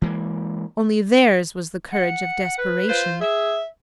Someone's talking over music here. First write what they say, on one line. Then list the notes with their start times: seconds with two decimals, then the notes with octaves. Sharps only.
Only theirs was the courage of desperation.
0.02 E3 G#3 A#3
1.93 F#5
2.58 B4
2.89 F4 C5
3.21 G#4 E5